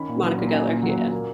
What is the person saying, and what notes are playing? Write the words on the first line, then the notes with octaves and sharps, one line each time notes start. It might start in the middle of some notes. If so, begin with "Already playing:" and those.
Monica Geller, yeah.
Already playing: D#3 C#4 B5
A#2
F#3
A#2
A#5
C#4 G#5
A#2
F#3
A#2
A#3